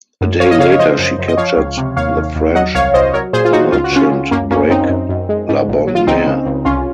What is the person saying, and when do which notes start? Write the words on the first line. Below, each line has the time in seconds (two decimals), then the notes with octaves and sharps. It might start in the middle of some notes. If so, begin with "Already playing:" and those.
A day later she captured the French merchant brig "La Bonne Mere".
0.21 F#2
0.40 F3 C#5 F5
0.51 D#5
0.59 C#3 C#5 F5
0.71 C#5
0.79 F3 C5 D#5
0.99 F#2
1.19 F#2
1.28 D#5
1.37 F3 C#5 F5
1.57 C#2
1.77 C3
1.97 D#2 C#5 F5
2.16 D#2
2.36 D#2
2.55 F#3 D#5 F#5
2.75 C2 C#5 F5
2.94 C2 C5 D#5
3.14 F#3 A#4 C#5
3.33 A#2 G#4 C5
3.45 F4
3.53 F#3 D#4 F#4
3.72 C#2 F4
3.84 F#4
3.92 C#2 C#4 F4
4.11 C#2
4.31 F#2 A#3 C#4
4.51 F#2 A#3 C#4
4.70 F#2 C4 D#4
4.89 F#2
5.09 F#2
5.29 G#3
5.49 G#2
5.68 A#1
5.87 F#3
5.95 F4
6.07 C#2 C4 D#4
6.27 C#3
6.46 C#2
6.65 C2 C#4 F4